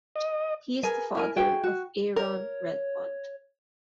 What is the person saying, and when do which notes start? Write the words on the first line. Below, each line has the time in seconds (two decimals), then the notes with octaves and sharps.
He is the father of Aaron Redmond.
0.16 D#5
0.83 G#4 A#4 B4 G#5
1.15 E4 A#4 G#5
1.36 F#4 G#4 G5
1.64 F#4
2.16 A#4 C#5